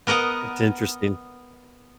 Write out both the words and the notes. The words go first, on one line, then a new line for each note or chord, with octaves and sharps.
It's interesting.
B3 A#4 D#5 F#5 A#5